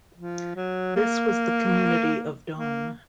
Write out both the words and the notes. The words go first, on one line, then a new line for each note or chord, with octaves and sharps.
This was the community of Dome.
F3
F#3
A#3
A#3